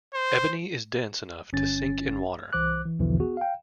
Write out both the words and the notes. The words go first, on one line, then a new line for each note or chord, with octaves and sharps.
Ebony is dense enough to sink in water.
C5
G1 C#4 A6
C2 E3 C5 D6 F#6
E3
B1 E2 B2 D3 E3 F3
B3 F#4 G#4
F5 G5